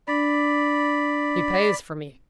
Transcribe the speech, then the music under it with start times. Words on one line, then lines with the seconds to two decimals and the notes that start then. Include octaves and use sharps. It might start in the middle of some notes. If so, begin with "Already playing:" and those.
"He pays for me."
0.08 D4 D5 B5